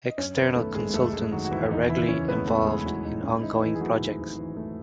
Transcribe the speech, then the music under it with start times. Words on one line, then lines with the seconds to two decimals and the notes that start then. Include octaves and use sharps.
External consultants are regularly involved in ongoing projects.
0.09 D#5
0.18 F#2 C#4 C#5
0.37 G#1 B3 B4
0.56 D#3 A3 A4
0.75 G#1 G#3 G#4
0.94 F#2 A3 A4
1.13 G#1 G#3 G#4
1.32 D#3 F#3 F#4
1.45 F#4
1.51 G#1 E3 E4
1.70 E2 D#4
1.89 F#1 E3 E4
2.08 C#3 C#4 C#5
2.28 G#3 B3 B4
2.47 E2 A3 A4
2.58 A4
2.66 F#1 G#3 G#4
2.81 E4
2.85 C#3 F#3 F#4
3.04 G#3 D#4
3.23 G#2 C#4
3.38 E4
3.42 G#1 D#4
3.61 E3 E4
3.75 G#4
3.80 F#3 A3 F#4
4.00 G#2
4.19 G#1
4.39 E3
4.57 A3